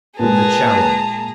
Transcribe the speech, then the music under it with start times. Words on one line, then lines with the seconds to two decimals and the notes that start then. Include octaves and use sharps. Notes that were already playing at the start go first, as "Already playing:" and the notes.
The Challenge.
0.19 A#2 G#3 G#4 B4 A5 A#5